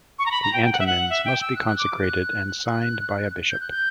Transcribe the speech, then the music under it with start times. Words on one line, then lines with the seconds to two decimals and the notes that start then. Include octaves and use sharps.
The antimins must be consecrated and signed by a bishop.
0.19 C#6
0.26 A#5
0.31 B5
0.43 A#5
0.53 G5
0.65 G5
0.73 F#5
0.80 E5
0.87 F#5
1.10 E5
1.25 G5
1.41 E6
1.56 F#6
1.67 F#6
1.79 D6
2.01 F#6
2.47 F#6
3.50 G6
3.61 F#6
3.71 G6